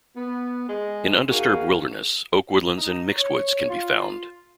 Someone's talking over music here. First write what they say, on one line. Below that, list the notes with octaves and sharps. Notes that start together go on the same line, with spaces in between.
In undisturbed wilderness, oak woodlands and mixed woods can be found.
B3
G#3 G#4 D#5
A#3 D#4 F#4 G#4 F5
D#4
C#5
F4